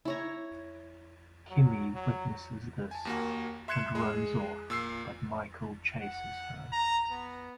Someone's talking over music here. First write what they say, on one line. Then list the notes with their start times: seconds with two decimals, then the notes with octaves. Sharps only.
Kimmy witnesses this, and runs off, but Michael chases her.
0.05 E4 C#5 A#5
1.50 F#3
1.94 F#3
2.91 G#5 A5
3.05 D#2 A#3 F#4
3.68 E5 C6 F#6 G#6 C#7 E7
3.95 G#3 G#4
4.70 A#2 E6 C7
6.01 F#5
6.72 A#5
7.11 B3